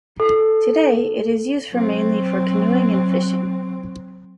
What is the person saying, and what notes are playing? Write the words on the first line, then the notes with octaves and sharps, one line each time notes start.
Today, it is used for mainly for canoeing and fishing.
A4
F#3 C4